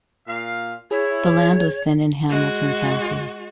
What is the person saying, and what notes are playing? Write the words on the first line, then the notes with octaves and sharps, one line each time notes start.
The land was then in Hamilton County.
A#2 F5
E4 G#4 C#5
G#3 F#4